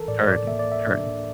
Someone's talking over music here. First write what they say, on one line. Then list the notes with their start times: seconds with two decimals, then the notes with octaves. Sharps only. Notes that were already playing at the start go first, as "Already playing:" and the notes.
Heard. Heard.
Already playing: E3 A4 A#4
0.08 A2 D5
0.28 D5
0.47 A#3 E5
0.59 D5
0.72 E5
0.87 D4